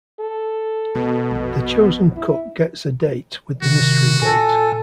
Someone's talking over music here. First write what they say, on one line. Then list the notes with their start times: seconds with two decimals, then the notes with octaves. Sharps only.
The chosen cook gets a date with the mystery date.
0.21 A4
0.95 B2 C#4
1.31 A#1 F2
2.16 D4 E4
3.62 C3 D#3 F#4
4.21 A#2 A4 G#5